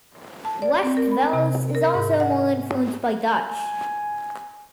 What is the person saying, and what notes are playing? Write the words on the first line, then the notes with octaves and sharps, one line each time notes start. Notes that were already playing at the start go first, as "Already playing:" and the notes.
West-Veluws is also more influenced by Dutch.
A5
D5
C4
A#4
B5
C3
A#4
G#2
F#5
G#5